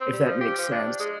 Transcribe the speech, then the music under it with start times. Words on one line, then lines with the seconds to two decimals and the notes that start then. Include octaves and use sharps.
if that makes sense.
0.01 C4
0.13 G3
0.26 F3
0.41 G4
0.59 F3
0.72 D4
1.00 G#3